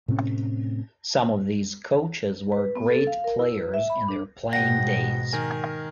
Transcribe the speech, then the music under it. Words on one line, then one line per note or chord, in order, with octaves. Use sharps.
Some of these coaches were great players in their playing days.
A2 C3 C4 C#4
B4
B3
A4
F5
A#4
E4
B4
E5
B5
D4
G#2 B2 F#5 G5 A#6
D#3 A#4 G#5